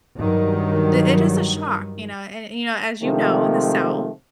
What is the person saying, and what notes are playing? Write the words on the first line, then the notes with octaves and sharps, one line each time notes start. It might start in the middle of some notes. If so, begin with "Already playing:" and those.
it is a shock, you know, an and, you know, as you know, in the South,
G2 D#3 F#3 G3
C3 D#3 F3 G#3 A3